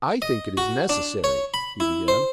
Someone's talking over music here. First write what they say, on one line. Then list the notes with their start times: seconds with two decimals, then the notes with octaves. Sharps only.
"I think it is necessary," he began.
0.22 D#5
0.57 F#4
0.89 D4
1.24 C#5
1.54 B5
1.80 E4
2.08 C5